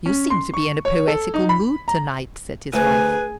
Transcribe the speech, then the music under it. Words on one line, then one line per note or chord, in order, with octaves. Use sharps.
"You seem to be in a poetical mood to-night," said his wife.
C#4
C6
C#6
C#5
A4
D#4
B5
A#5
D2 G#4 B4 G#5